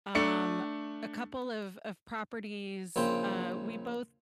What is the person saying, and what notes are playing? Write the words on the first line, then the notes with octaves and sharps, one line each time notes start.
um, a couple of of properties, uh, we both
A3 D4 C#7
A#1 C#3 C4 G5